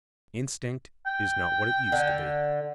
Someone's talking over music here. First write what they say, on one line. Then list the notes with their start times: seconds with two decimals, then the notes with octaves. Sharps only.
Instinct is not what it used to be.
1.06 G5
1.92 D3